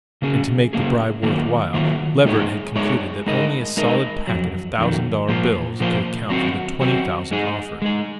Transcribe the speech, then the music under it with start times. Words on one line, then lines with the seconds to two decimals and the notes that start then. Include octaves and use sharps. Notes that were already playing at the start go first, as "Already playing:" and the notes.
And, to make the bribe worth while, Leverett had concluded that only a solid packet of thousand-dollar bills could account for the twenty thousand offered.
0.22 C#3 F#3 A#3 C#4 G#4
0.73 C#3 F#3 A#3 C#4 G#4
1.23 D#3 F#3 A#3 F4
1.74 D#3 F#3 A#3 F4
2.25 G#3 D#4 G#4 C#5
2.76 G#3 D#4 G#4 C#5
3.26 G#3 D#4 A#4 D#5
3.77 G#3 D#4 A#4 D#5
4.27 F2 D#3 F#3
4.78 F2 D#3 F#3
5.28 A#2 F3 A#3 F4 C5
5.80 A#2 F3 A#3 F4 C5
6.30 F#3 C4 F#4
6.81 F#3 C4 F#4
7.31 G#3 D#4 G#4
7.82 G#3 D#4 G#4